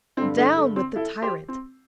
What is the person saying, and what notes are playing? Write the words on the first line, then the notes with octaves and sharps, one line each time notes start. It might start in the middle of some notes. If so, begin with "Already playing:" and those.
Down with the tyrant!
G2 D3 C4
A3 D4
A3
C4
E4 A4
G4 C5
C4